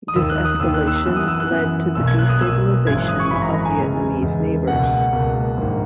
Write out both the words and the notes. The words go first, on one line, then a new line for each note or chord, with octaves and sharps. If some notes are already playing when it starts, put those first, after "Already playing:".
This escalation led to the destabilisation of Vietnamese neighbours.
D#6
D#2 D#3 A#3 E6
F#6
D#6
D#2 D#3 A#3 E6
F#6
E6
F#2 E3 B3 F#6
D#6
E6
F#6
F#2 E3 B3
B1 B2 A#3 E6
G#6
F#6
D#6
B1 B2 A#3 E6
G#1 F#2 E3 G#6
F#6
D#6
C#6
G#1 F#2 E3 B5
A#5
A#5
G#5
E2 C#3 G#3
E2 C#3 G#3
C#2 B2 A#3 F#5
C#2 B2 A#3
A#1 G#2 D#3 A#3